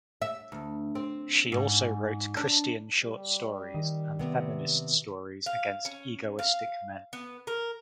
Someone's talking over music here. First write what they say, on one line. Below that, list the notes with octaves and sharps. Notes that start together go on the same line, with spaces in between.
She also wrote Christian short stories and feminist stories against egoistic men.
E5
D2
C4
G#2
D4
G3
D#3
C3 B3
F5
C#4
F5
B3
A#4